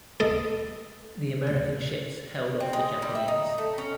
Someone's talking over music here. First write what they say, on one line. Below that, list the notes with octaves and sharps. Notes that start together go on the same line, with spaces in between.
The American ships held off the Japanese.
A4 D#5
C4
G#3
G3
E5
D#4
A3
C#4